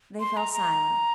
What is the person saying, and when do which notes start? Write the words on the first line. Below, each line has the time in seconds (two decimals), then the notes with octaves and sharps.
They fell silent.
0.20 C6
0.37 A#5
0.53 A#5